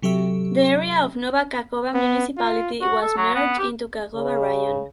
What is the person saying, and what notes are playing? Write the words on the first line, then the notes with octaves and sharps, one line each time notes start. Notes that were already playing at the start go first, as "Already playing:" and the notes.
The area of Nova Kakhovka Municipality was merged into Kakhovka Raion.
C3 F#3 G4 A4 E5 C#6
B3
F4
F#4
A4
F#3
B3
G4
C#3